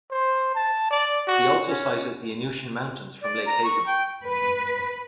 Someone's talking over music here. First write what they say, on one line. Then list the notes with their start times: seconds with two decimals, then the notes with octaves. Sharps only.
He also sighted the Innuitian Mountains from Lake Hazen.
0.11 C5
0.55 A5
0.91 D5
1.27 F#4
1.68 C#4
3.22 D5
3.46 A#5
3.64 C#6
3.86 G5
4.27 B4